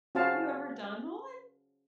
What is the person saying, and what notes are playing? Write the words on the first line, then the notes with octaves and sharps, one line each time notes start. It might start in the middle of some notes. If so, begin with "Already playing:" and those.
you ever done one,
C#4 F#4 C5 F5 A5